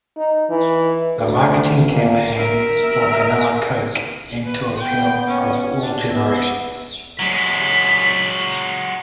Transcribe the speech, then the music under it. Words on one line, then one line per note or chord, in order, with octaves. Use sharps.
The marketing campaign for Vanilla Coke aimed to appeal across all generations.
D#4
E3
D2
A#2
A#4 E5
B4
B3 G5
C#4
D4
B3 E5
F#3 G#3 B6